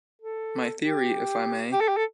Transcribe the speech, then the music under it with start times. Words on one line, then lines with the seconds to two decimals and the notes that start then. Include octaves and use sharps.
My theory, if I may...?
0.22 A4
0.81 G4
1.73 G4
1.81 A4
1.88 G4
1.97 A4